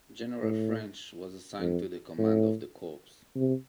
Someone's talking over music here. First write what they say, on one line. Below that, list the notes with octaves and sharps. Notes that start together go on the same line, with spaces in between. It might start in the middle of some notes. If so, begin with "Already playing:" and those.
General French was assigned to the command of the corps.
A2
F2
A2
C3